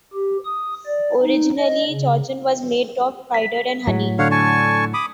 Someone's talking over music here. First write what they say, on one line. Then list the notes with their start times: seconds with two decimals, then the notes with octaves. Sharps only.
Originally chouchen was made of cider and honey.
0.14 G4
0.45 D#6
0.86 D5
1.22 D#4
1.58 D#5
1.89 C#3
3.34 B6
3.87 A2 F#3
4.19 D3 C#5 F5 F#5
4.31 G#5 A5 C#6
4.94 B5 D6 D#6